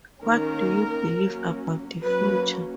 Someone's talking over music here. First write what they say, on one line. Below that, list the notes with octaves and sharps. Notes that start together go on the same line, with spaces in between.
What Do You Believe About The Future?
D#3 A#3 C#4 A#4
F#3 A#3 C#4
F#3 A#3 C#4 B4